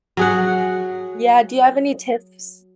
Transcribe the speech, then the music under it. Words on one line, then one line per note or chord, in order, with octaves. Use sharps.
Yeah, do you have any tips?
F#3 G#4 F#5